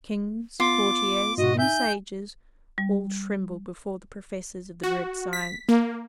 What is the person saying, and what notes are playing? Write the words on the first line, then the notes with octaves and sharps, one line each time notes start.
Kings, courtiers, and sages, all trembled before the professors of the dread science.
B3 F4 D6
G#2 B2 F#4 D#5
D#4 E5 G#5 G6
G3
F#4
B6
A#3